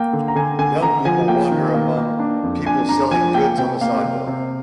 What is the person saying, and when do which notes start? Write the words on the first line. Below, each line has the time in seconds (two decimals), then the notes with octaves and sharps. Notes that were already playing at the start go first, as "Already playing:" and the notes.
Young people wander among people selling goods on the sidewalk.
Already playing: A#3 G5
0.13 D3
0.28 A#5
0.36 D3 G#5
0.59 D3 G#5
0.82 D3 A#5
1.05 F3 G#5
1.28 A#3 G5
1.52 D#3
1.74 A#3
1.97 A#3
2.19 D4
2.43 F2
2.66 D4 G#5
2.89 D4 A#5
3.11 F3 G#5
3.34 A#3 G5
3.58 C3 G5
3.81 A#3 F5
4.04 C3
4.27 C3